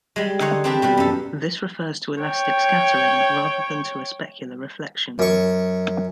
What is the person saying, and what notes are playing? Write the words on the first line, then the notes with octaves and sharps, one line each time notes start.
This refers to elastic scattering rather than to a specular reflection.
G3 G#3
D3 D#4 C5 C#5 F#5
C4 D4 G4 B4 D5
B2 G3 B4
F#2 A4
C#5 G5
F#2 C#6